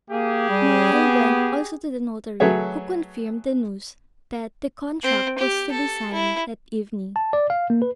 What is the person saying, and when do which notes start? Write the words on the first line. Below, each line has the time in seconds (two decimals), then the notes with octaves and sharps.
Morrel went also to the notary, who confirmed the news that the contract was to be signed that evening.
0.10 A#3 G4 G#4
0.49 G3
0.93 B3
2.40 F#3 A3 G#4 B4 C#5 E5
5.04 C4
5.39 G4
5.72 A4
6.13 E4
7.16 A5
7.33 D5
7.50 F5
7.70 A#3
7.82 B4